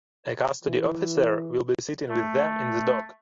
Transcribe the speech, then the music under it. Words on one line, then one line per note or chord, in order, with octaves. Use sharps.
A custody officer will be sitting with them in the dock.
E3
A3